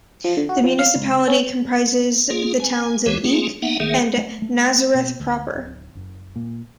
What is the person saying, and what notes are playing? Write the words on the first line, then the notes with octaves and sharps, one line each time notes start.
The municipality comprises the towns of Eke and Nazareth proper.
F3
D3
F#4
F3
F5
C#2
E6
C#4
A#3 F4 G#4
G#5
D2 E3 G#3 G4 B4 C#5
A3 A#3 C#4 F4 G#4
A#3 B3 D#4 E5 F#5
F#1 D#3 A3 A#3 G#4 E5
A3
A3
B2
D2
D1
F#1
A#2